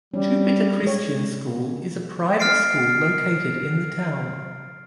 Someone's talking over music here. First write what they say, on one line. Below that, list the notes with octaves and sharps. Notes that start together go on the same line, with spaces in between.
Jupiter Christian School is a private school located in the town.
G3 C#4
G#3 C#5
F6 A6 C7 D7